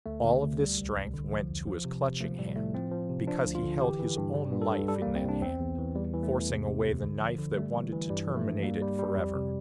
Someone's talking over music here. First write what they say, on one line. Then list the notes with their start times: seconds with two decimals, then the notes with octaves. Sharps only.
All of this strength went to his clutching hand, because he held his own life in that hand, forcing away the knife that wanted to terminate it forever.
0.06 D2 A3
0.24 D3
0.42 D2
0.60 G3
0.78 C2
0.96 C2
1.13 D3
1.31 F3
1.49 E2
1.67 F3
1.85 C3
2.03 C3
2.20 F3 A3
2.38 A2 G3
2.56 A2 A3
2.74 F3 C4
2.91 F3
3.10 C3
3.27 F3 D4
3.46 D2
3.55 F4
3.63 D3
3.81 E3 G4
3.99 E3
4.18 G2
4.34 G3
4.53 G2
4.62 A4
4.70 G2
4.88 G3 A4
5.02 A#3
5.06 C2
5.15 C4
5.24 C2 D4
5.42 E2 C4
5.60 E2
5.78 E3
5.95 E2 G3
6.14 E3
6.23 A3
6.32 E2
6.49 C3
6.67 C3
6.85 D2
7.03 D3
7.20 F3
7.38 D3
7.56 G3 A3
7.74 E3
7.92 E3
8.10 G2 G3
8.27 F3
8.37 A3
8.46 G2
8.63 G3 A#3
8.82 G3
8.99 G3
9.17 F2
9.35 C3